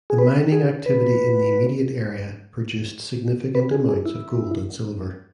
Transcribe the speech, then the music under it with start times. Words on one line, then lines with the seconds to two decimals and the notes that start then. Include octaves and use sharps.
The mining activity in the immediate area produced significant amounts of gold and silver.
0.10 G#4
0.18 B4
0.52 G#4
0.86 B4
3.55 B4
3.71 G#4
3.89 G#4
4.06 E4